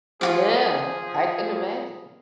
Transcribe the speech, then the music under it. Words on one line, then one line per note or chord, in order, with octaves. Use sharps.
Yeah, I can imagine.
F3 F4 F#4 G#4 D6